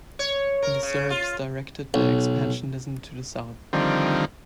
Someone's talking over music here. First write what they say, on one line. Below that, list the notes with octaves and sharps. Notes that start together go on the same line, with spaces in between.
The Serbs directed their expansionism to the south.
C#5
A#4
C#3
F4
B1
D3 D#3 F3 G3 C4